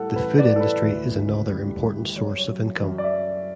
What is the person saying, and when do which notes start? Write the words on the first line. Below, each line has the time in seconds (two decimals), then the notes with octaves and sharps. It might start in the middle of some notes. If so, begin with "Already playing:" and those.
The food industry is another important source of income.
Already playing: A2 G3 A4 F#5
0.16 A1 B4
0.38 D5
0.49 A2
0.56 A4
0.61 B4
0.82 D2
1.16 C#3
1.49 G3
1.83 G3
2.16 F#2 C#5
2.38 C#5
2.49 F#3
2.82 F#2
2.98 D5
3.04 E5